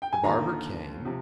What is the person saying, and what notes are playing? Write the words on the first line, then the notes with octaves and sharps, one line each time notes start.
The barber came.
G5
G#5
D#2 D3 F3 A#5
C3 F3